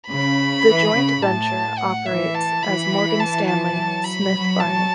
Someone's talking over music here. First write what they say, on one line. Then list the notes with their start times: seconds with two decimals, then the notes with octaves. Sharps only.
The joint venture operates as Morgan Stanley Smith Barney.
0.08 C#3 B5
0.65 E3
0.93 C#3
1.22 A2 A5
1.78 F#5
2.06 E3 E5
2.34 A5
2.63 E3 B5
3.20 A5
3.47 A5
3.75 F#3
4.04 B5
4.32 F#3
4.60 F#3 A5